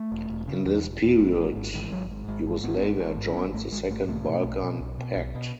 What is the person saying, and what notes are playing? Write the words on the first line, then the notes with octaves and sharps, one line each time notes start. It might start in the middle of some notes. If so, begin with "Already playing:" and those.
In this period Yugoslavia joined the Second Balkan Pact.
Already playing: A3
E1
E1
C#3
E2
E1
E1
G#1
G#2
G#1
G#2 D#3
E3
G#1 F#3
G#2
G#1 G#3
G#2
G#1 B3
G#2
G#1
G#2
C#4
G#1 B3
G#2 A3
G#1 G#3
G#2 A3
B1 A3
B2
B1
B2
B1
B2
B1
B2